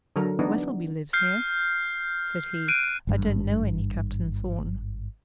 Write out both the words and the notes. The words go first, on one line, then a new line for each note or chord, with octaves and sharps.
Westleby lives here,' said he; 'I don't know any Captain Thorn.'
D3 F#3 A4 A#4
E3 B3 D4 D#4
F6 G6 C7
F#6 D7 D#7
G#1 G2